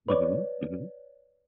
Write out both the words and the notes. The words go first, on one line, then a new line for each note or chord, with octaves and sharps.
Mhm. Mhm.
B4 C#5 D5